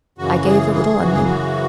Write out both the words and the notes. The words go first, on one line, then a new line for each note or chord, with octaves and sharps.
I gave a little onion.
F#2 C#3 E3 F#4
G#4
G#4
F#2 C#3 E3 F#4
G#4
F#4